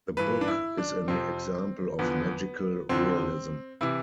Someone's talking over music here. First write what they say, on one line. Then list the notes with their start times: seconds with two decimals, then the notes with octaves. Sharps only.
The book is an example of magical realism.
0.17 G2 E3 B4
0.41 D4
0.48 E4
0.78 D4
1.08 F2 C3 F3 C4
1.99 E2 D3 F3 B3
2.89 F2 D3 F3 C4
3.81 C3 E3 E4